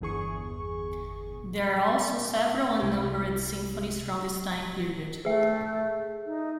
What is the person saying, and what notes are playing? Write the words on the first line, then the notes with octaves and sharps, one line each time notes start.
There are also several "unnumbered" symphonies from this time period.
G1 E2 G#4 C#6
C2 G4
A3 G#4 E5
D#4